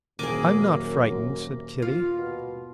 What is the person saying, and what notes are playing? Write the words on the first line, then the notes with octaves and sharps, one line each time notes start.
"I'm not frightened," said Kitty.
D#1 F#2 A#3 G#4 D6 D#7
F4
B2